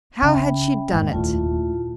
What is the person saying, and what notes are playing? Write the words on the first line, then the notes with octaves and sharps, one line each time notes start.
How had she done it?
C#3 C#4 E5 G5 B5
F1 D#2 G#2 D#3
A#2 A3 E4 F4 A5